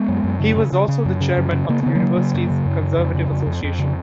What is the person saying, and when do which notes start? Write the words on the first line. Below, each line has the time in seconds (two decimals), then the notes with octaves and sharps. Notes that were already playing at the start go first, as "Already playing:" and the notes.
He was also the chairman of the University's Conservative Association.
Already playing: G#3 B3
0.08 F#2
0.24 F#2
0.40 C#3
0.56 C#3
0.72 C#3
0.88 C#3
1.05 F#2
1.21 C#3
1.37 F#2
1.53 C#3
1.69 C#3 A#3
1.83 C#3 B3
1.95 F#3 A#3
2.02 C#3
2.18 C#3
2.34 F#2
2.50 C#3
2.66 F#2
2.83 C#3
2.98 F2
3.14 C#3
3.31 F2
3.46 F2
3.64 F2
3.79 C#3